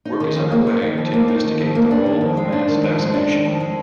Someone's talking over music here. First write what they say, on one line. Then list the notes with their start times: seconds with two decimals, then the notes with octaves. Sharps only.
Work is under way to investigate the role of mass vaccination.
0.05 D#4
0.20 D#3
0.36 F2
0.52 A#3
0.67 D#4
0.82 D#3
0.98 F2
1.14 A#3
1.29 D#4
1.44 D#3
1.60 F2
1.75 A#3
1.91 D4
2.06 D#3
2.21 F2
2.37 G#3
2.52 D4
2.68 D#3
2.83 F2
2.99 G#3
3.14 D4
3.29 D#3
3.45 F2
3.60 G#3